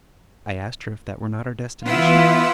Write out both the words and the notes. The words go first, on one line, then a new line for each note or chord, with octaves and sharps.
I asked her if that were not our destination?
E3 B3 E4 F4 F#5 E6